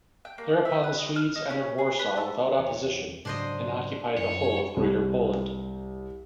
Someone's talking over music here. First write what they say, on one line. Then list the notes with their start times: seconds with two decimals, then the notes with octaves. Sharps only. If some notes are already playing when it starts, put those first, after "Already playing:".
Thereupon the Swedes entered Warsaw without opposition and occupied the whole of Greater Poland.
0.25 G5
0.38 A#3
0.65 E5
0.84 B4
0.99 D#5
1.16 F6
1.35 D#4
1.50 C#4
1.78 G#4
1.99 B4
2.17 A4
2.58 E2 C#5
3.25 G#2 C#3 F#3 D4 C5 D#5
4.17 F#2 C#5
4.76 C2